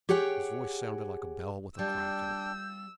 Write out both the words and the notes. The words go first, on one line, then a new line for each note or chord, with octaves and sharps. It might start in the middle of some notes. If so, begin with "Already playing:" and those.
His voice sounded like a bell with a crack in it.
G4 G#4 C#5 F#5 G5
G3 D4 F4 G5 E6 G6